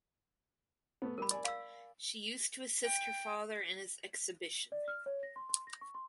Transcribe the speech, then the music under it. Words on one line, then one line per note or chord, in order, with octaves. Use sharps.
She used to assist her father in his exhibition.
A3 B3
G3 G4 A#4 B5
D5 G#5
F5 E6
G5
D5
F6
C#5
A#6
C6
C6
A#6
C#6
C6